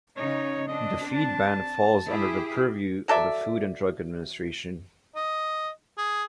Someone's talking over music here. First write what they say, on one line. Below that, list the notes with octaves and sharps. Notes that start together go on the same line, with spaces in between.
The feed ban falls under the purview of the Food and Drug Administration.
C#3 C#4 D#4 C#5
C4 D4 D#5
A5
E4 G4 G#4
F#3 A4 D5 E5
D#5
G#4